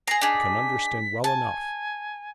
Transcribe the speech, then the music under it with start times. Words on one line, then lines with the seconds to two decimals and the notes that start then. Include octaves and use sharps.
I can understand well enough.
0.07 G#4 A#5 C7
0.21 D4 D#4 G#4 B6
1.24 G#5 A5